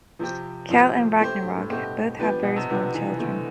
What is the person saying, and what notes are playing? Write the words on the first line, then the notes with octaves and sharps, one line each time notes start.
Kel and Ragnarok both have very small children.
C3 F3 C4 G4
A2 F3 C4 G4
A3 C4 G4 C5
G2
A2
B2 A3 C4 G4 C5
F3 B3 D4 G4 B4
B2
C3
D3 F3 B3 D4 G4 B4
E3
D3 A3 C4